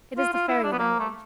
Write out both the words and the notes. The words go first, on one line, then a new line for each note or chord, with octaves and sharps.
It is the fairy language.
F4
F4
E4
D4
B3
A#3
A3